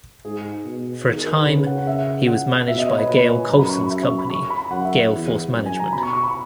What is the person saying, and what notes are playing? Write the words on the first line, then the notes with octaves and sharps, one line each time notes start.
For a time, he was managed by Gail Colson's company, Gailforce Management.
G#2 G#4
B2
D#3 A#4
G#4
A#4
B4
C#3 C#5
F#5
F#5
E5
F#5
B2 E5
D#5
C#5
B4
A#2 B4
G#5
F#2 A#5
B5
C#6
B5
E5
C#6
B5
C#6
B5
F#2 F#5
E5
E2
F#2
G#5
A#5
B2 B5
C#6
C#6
B5